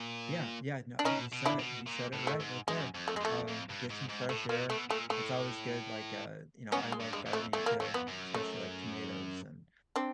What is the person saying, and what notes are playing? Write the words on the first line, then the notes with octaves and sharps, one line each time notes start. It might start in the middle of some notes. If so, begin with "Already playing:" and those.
Yeah, yeah, no, you said it, you said it right, right there. Um, get some fresh air, it's always good, like, uh, you know, I love gardening too, especially, like, tomatoes and
Already playing: A#2
D4
B2 C#4 D#4
B2
D4 E4
B2
A#2
A2
A3
G#2
F#2 G#3
F2
A3
G#3
F2 A3
F2
G2
G#2
G#2
A2 A3
A#2 A#3
B2 A3
A#2 A3
A2 A3
G#2 B3 C#4
G#3
G2
G#3
F2
A3
E2 A3
A#3
F2 A3
B3
F#2
A3
C4 D4